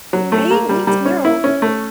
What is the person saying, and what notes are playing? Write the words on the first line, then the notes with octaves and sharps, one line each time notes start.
Right? Me too.
F#3
A3
A#3
G3
G3
C#4
E4
C#4
A3